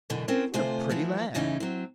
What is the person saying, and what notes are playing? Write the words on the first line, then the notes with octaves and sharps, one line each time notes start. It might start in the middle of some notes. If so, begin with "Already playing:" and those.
"What a pretty lad!"
F#2 B2 D3 E3
C4 C#4 A#4 C5
D2 C3 A3 F4 C5 G#5
E3 F3 B3
A2 C#3 E3 C#4 D#4
F#3 C4